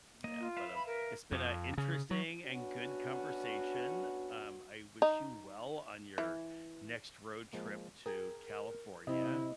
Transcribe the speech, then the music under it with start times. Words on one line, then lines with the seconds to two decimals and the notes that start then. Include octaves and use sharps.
yeah, but, um, it's been a interesting and good conversation, um, I wish you well on your next road trip to California.
0.24 A#3 D#5
0.40 F4
0.57 B4 E5 F5
0.75 B5
0.87 A#4
1.32 F2
1.78 C#3
2.11 F#3
2.45 B3 C#4 D4 F#4
5.02 D#4
6.18 E3
7.53 F3 G#3 A#3
8.06 G#4 A#4 G5 G#5
9.07 C3 C4 E4 D#5